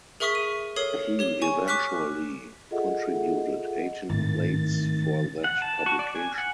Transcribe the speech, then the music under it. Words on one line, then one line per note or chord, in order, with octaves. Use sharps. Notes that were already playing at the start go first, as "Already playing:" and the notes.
He eventually contributed eighteen plates for that publication.
G#4 A#4 E5 C#6 D#6 B6
D#7
A4 A#4 C#5 D#6 C7
G4 C#5 G7
G#5 C#6
C#6 D6 F6 F#6 B6
F4 G#4 A4 D#5 E5 F#5
G#1 A2 D#3 A6
F#5
A5
F#4
D5
G#5
F#5